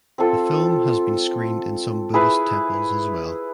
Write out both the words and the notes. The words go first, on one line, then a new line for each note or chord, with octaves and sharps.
The film has been screened in some Buddhist temples as well.
C4 F4 A4
E4 G#4 B4